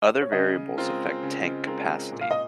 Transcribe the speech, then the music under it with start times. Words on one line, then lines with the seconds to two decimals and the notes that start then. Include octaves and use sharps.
Other variables affect tank capacity.
0.22 C#5
0.32 C#3 D#5
0.77 G#3 C4 F4 A#4
1.23 C#3
1.67 G#3 C4 F4 A#4
2.12 A#2
2.21 F5
2.31 D#5